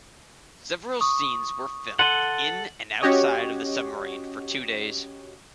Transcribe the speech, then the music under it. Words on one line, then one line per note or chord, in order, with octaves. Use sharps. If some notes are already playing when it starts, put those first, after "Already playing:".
Several scenes were filmed in and outside of the submarine for two days.
C#6 D#6
A4 F#5 C6 D#7 G7
F#7
C#4 F#4 G4 C#5 D#5